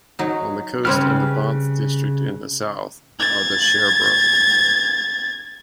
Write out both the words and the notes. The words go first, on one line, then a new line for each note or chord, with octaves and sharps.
On the coast in Bonthe District in the south are the Sherbro.
F#3 D#4
C#3 G3 C4 C#4 B4 F6
G#6 A6